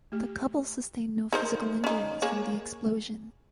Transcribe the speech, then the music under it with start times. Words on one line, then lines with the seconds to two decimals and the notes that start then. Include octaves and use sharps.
The couple sustained no physical injuries from the explosion.
0.12 A3 G4
1.33 D#4 A#4 C5
1.84 C#4 D#4
2.22 A#3 G#4 C#5